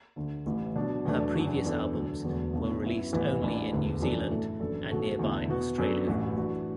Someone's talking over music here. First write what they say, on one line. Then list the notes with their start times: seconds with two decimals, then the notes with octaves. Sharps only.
Her previous albums were released only in New Zealand and nearby Australia.
0.16 D2 D3 A3
0.46 A1 A2 E3
0.76 B2 F#3 D4
1.05 E2 B2 F#3 A3 D4
1.35 F#2 E3 D4 F#4
1.65 E2 E3 D4 A4
1.93 D2 D3 F#3 D4
2.23 E1 E2 D3 F#3 A3
2.53 B1 B2 A3 D4
2.82 F#2 F#3 B3 E4
3.13 A1 A2 E3 B3
3.42 A1 A2 E3 D4
3.72 E1 D2 D3 B3
4.01 F#2 E3 D4 A4
4.31 A2 A3 E4 A4
4.60 F#1 F#2 E3 D4 A4
4.89 B1 B2 A3 F#4 A4
5.19 E2 D3 A3 E4
5.48 B2 B3 F#4
5.78 F#2 F#3 B3 D4 A4
6.07 A1 A2 E3 A3 F#4
6.37 A2 E3 D4 F#4